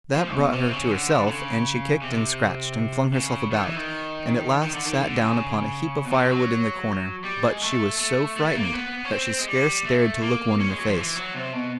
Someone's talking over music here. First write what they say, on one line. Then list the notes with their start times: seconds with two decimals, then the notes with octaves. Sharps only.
That brought her to herself, and she kicked, and scratched, and flung herself about, and at last sat down upon a heap of firewood in the corner; but she was so frightened that she scarce dared to look one in the face.
0.15 F3
0.34 B2
0.52 C3
0.71 C#3
0.89 D3
1.27 C#3
2.02 C3
3.14 C#3
3.51 D#3
3.63 E3
3.76 D#3
4.63 D#3
4.74 D3
4.85 D#3
5.00 D3
5.18 C#3
6.05 B2
6.11 C3
6.31 F#3
7.24 G3
7.43 G#3
7.62 A3
7.99 A3
8.36 A3
8.55 A#3
8.73 B3
9.05 C#4
9.10 C4
9.39 G#3
9.48 G3
9.85 A3
10.22 A#3
10.60 C#4
10.70 G#3
10.78 F#3
10.88 F3
10.97 E3
11.16 F#3
11.34 C3
11.53 B2